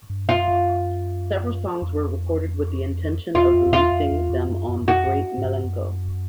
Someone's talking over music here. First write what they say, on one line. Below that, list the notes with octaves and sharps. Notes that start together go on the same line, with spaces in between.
Several songs were recorded with the intention of releasing them on "The Great Milenko".
G2
F#2 F4
F2
E2 F4
F2
F2
E2 F4
F2
E2
F2
F#2
F#2
F#2
F2 F#4
F#2
G#2
G2
F#2